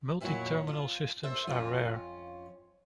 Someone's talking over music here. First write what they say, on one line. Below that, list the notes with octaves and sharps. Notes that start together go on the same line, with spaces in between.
Multi-terminal systems are rare.
F2 A#2 F#3 E4 F#4 C#5
F4
A4 C5 E5
F2 C#4 F4